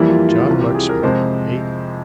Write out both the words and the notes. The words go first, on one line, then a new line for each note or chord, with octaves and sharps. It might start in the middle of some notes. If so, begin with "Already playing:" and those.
John Lexman--A.
Already playing: F2 E3 G3 A#3 E4
F4
F4
C2 C3 E3 F4
G4
G#4
A#4
F2 C3 F3 G#3 C5